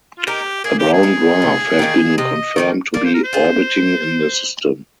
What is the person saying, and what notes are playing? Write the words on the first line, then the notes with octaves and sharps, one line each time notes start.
A brown dwarf has been confirmed to be orbiting in the system.
F4
D#4 G4 A#4
A#3 G#4
G4
G#4
D#4 A#4
C3
D#3 A#3 D#4
C3 D#5
D#3 A#3 D#4
A#3 D5
C5
A#4
C5
F4 G#4